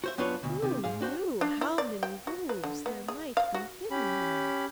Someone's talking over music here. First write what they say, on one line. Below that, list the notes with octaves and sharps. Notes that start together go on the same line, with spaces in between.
Who knew how many wolves there might be hidden there?
F#4 C5 E5
F#2 B3 D4 F4 B4 C#5
D2 B2
C3 D#3
G#2 G#4 F5
D4 F#4 C5 G5
D4
E4
D5
G5
F#4
B4
D3
B3
G#4
F5
F#4
C#4 G4 B5